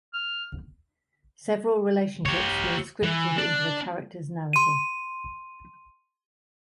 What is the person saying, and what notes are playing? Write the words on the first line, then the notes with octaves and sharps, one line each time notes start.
Several relationships were scripted into the character's narrative.
F6
G4 C#5
E3
D4
C6 D#7